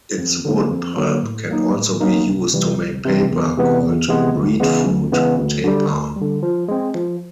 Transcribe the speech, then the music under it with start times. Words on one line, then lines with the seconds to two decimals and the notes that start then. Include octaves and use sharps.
Its wood pulp can also be used to make paper, called breadfruit "tapa".
0.18 F2
0.45 D3 F#3 A#3
0.70 F2
0.97 D3 F#3 A#3
1.22 A2
1.49 F#3 A#3 D#4
1.74 A2
2.00 F#3 A#3 D#4
2.26 C2
2.53 C3 E3 G3
2.78 C2
3.05 C3 E3 G3
3.31 E2
3.57 C3 E3 G#3 B3
3.82 E2
4.09 C3 E3 G#3 B3
4.35 D2
4.60 C#3 E3 G#3 B3
4.86 D2
5.12 C#3 E3 G#3 B3
5.38 D2
5.64 D3 G3
5.91 D2
6.16 D3 G3
6.43 F3
6.68 G#3 C4
6.94 F3